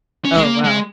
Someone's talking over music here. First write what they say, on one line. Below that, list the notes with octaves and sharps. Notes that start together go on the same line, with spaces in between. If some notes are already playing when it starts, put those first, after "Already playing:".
Oh, wow.
C#4
G#3
A#3
G#3